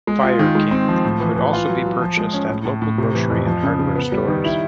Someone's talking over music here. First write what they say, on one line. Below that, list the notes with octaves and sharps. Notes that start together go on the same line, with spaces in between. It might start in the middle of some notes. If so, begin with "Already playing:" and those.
Fire-King could also be purchased at local grocery and hardware stores.
G#3
F4
D#3
G#3
C4
F3
A2
E3
E3
F4
F#3
F#3
F3
G#3
C#4
A2
A2
A2
C3
E3
F2
F3
C#3
C#3
B3
G3
D#3
E4